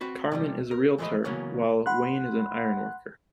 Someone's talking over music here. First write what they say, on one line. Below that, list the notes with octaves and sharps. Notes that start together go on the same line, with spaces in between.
Carmen is a realtor while Wayne is an ironworker.
C4 F#4 B4
C3 F3 G3
A#4
E3 F3 G#3 A3 B4 D#5
C#3 E3 F#3 A#3 B3 C#4
F#5 B5 C6 F#6